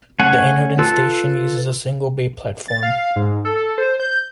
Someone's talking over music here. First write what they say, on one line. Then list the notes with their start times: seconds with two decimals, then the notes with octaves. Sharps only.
The Enoden station uses a single bay platform.
0.20 A3 C#4 F#5 G#5
0.79 F4 A4 B4 A5 E6
2.68 A6
2.83 F5
3.16 G#2
3.45 A4
3.78 C5
4.00 G6